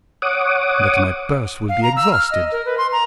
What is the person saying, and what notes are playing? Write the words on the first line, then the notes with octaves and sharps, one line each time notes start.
"But my purse will be exhausted."
C#5 F#5 D6 D#6
F5
A#5
E6
F6
D#5
A#4
B4
C6
A#5